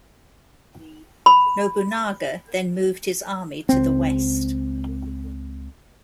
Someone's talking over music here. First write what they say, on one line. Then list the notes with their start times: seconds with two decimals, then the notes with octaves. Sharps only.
Nobunaga then moved his army to the west.
1.26 B5
3.69 C#2 C4